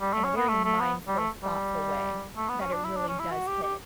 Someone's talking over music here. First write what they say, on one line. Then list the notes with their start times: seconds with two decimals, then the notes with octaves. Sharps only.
in a very mindful, thoughtful way that it really does hit
0.01 G3
0.13 A3
0.24 C#4
0.36 B3
0.48 A3
0.64 A3
0.80 B3
1.08 G3
1.19 A3
1.43 G3
2.37 A3
2.49 B3
2.61 C#4
2.72 D4
2.85 E4
2.96 D4
3.08 C#4
3.19 E4
3.31 F#4
3.47 G4
3.63 G4